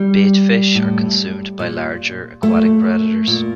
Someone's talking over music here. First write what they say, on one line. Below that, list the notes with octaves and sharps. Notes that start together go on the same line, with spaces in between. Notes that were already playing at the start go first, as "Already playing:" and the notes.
Bait fish are consumed by larger, aquatic predators.
Already playing: G3
A2
A#2
A#2 A3
A#2